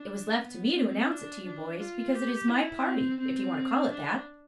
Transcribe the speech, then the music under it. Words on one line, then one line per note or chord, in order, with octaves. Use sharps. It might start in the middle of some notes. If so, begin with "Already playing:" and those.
It was left to me to announce it to you boys, because it is my party, if you want to call it that.
Already playing: D4
B3
C4
D4
D4
F4
G4
E4
C4
C4
D4